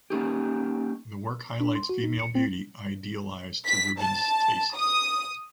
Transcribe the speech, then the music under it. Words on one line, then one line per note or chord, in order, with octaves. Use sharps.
The work highlights female beauty, idealized to Rubens’ taste.
A#3 C#4 D#4 G4
D4
C6
F#4
D#4
C#7
C4
B6
A5
D#6